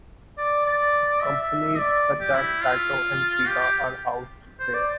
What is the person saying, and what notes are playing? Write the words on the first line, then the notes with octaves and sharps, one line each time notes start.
Companies such as Taito and Sega are housed there.
D5
D5
E5
D5
G4
E4
F4
G4
C5
D5